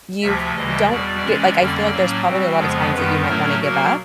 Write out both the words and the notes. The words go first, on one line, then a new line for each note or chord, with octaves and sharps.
you don't get like, I feel like there's probably a lot of times that you might wanna give up
D2 C3 F3 E5
D2 C#3 E3 G3 D#5
E2 B2 G3 D5
C3 E3 G#3 C#4
F2 D3 G3 A#3 C#4 D5
A2 F#3 A#3 C#4
B2 G3 C4
F2 C#3 F3 G#3 B3
F#2 D#3 G3 B3 B4
A2 F#3 A3 C#4 A#4
B2 F#3 A#3 A#4